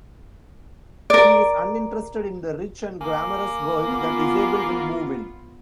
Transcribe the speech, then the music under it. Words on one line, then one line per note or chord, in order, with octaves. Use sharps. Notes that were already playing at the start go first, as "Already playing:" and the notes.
He is uninterested in the rich and glamorous world that Isabel will move in.
A#4 D5
A#3 G#5 D6
B3 F4